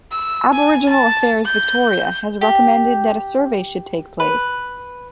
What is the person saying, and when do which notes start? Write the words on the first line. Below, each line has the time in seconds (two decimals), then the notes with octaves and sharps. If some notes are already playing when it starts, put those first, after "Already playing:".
Aboriginal Affairs Victoria has recommended that a survey should take place.
0.11 E6
0.53 G#5
0.89 A5
1.45 G6
2.41 G4
4.20 B4